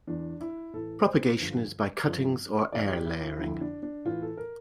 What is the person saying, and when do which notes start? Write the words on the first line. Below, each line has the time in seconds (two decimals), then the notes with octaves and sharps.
Propagation is by cuttings or air layering.
0.07 E2 E3 D4
0.41 E4
0.73 A2 E3 A4
1.06 C5
1.40 G2 D3 F3
2.07 G2 F3
2.72 G2 E3 D5
2.89 G4
3.06 E4
3.23 E4
3.38 F2 D3 F3 E4
3.61 D4
3.83 D4
4.05 A2 E3 F4
4.22 A4
4.37 A#4